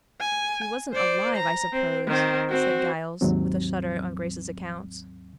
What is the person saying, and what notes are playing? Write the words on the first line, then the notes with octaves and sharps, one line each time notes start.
"He wasn't alive, I suppose?" said Giles, with a shudder on Grace's account.
G#5
C5 D5
A#5
C4
D#3 C4
C4 F#4
D#2 G#2 F#3 C4